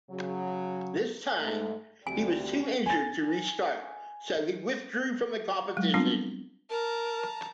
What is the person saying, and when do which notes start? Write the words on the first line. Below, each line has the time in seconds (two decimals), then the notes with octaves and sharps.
This time he was too injured to restart, so he withdrew from the competition.
0.10 C#3 F#3
1.39 G#2 A3
2.07 D2 C3 G3 G#5
2.86 G#5 A6
5.77 F#3 G#3
5.94 G3 B3 C4 D4 F4
6.70 A#4 A5 A#5